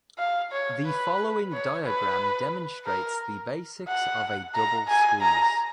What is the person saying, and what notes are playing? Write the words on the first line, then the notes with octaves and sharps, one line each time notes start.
The following diagram demonstrates the basics of a double squeeze.
F5
C#5
B4
C#5
B4
A#4
F#5
A#5
G#5
A#5